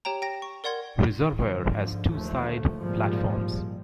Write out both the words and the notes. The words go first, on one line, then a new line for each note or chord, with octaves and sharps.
Reservoir has two side platforms.
G4 C#5 G5 A#5
G5 A#6
C#6
A#4 D5 F#5 C6 G#6
G#2 D3 F3
D#2 D3 F3 A3
G#1 A#2 F3 G3 G#3